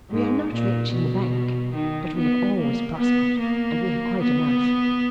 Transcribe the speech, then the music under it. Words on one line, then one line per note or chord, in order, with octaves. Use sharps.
We are not rich in the bank, but we have always prospered, and we have quite enough.
G#2
A#2
B2
D#3
B3
A#3
B3
A#3
B3